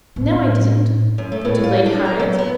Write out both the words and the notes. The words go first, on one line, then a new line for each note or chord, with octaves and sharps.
"No, I didn't," put in Lady Harriet.
A2
F#2
A3
A2
F4
D4
A#5
F#3
B3